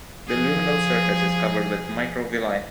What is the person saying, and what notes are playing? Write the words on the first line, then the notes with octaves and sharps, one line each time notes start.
The luminal surface is covered with microvilli.
F3 G#4